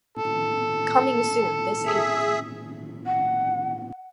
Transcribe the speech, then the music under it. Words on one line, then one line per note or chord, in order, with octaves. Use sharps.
Coming soon this April.
A4
G#4 E5
F#5